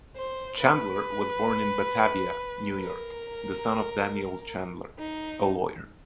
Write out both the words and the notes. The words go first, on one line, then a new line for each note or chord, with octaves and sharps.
Chandler was born in Batavia, New York, the son of Daniel Chandler, a lawyer.
C5
B4
A#4
D#4